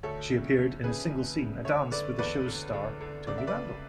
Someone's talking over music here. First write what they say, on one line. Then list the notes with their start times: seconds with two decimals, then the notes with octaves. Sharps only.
She appeared in a single scene, a dance with the show's star, Tony Randall.
0.03 D2 A4 C#5
0.30 C#3
0.57 D2
0.84 C#3 G#4 B4
1.10 D2
1.39 C#3
1.65 D3 C#5 E5
1.91 D3 B4 D5
2.18 E2 B4 D5
2.46 D3
2.73 D3
3.01 D3
3.27 C#2 D5
3.38 E5
3.47 B4 D5
3.54 C#2